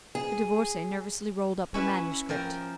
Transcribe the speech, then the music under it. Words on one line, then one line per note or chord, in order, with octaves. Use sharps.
The Divorcee nervously rolled up her manuscript.
G#4
C#4 E4 B4
F3 A#4 G5